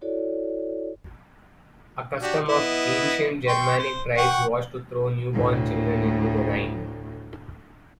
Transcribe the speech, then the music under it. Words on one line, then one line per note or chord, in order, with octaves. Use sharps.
A custom of ancient Germanic tribes was to throw newborn children into the Rhine.
E4 F#4 A4 C#5 D5
D4 F#4 G4
B3 E4 D#5
G5 C6 C#6
C5
F#5 G5 C#6
D2 A2